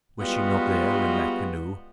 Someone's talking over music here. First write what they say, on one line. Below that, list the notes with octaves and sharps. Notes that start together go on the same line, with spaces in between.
Was she not there in that canoe?
G3 G#3 B3 F4 F#4